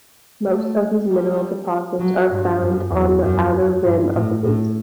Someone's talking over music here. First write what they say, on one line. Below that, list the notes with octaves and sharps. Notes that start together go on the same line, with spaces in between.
Most of these mineral deposits are found on the outer rim of the basin.
A3
G3
F#3
G2
F#2
E2
F#2
G2
A2
A2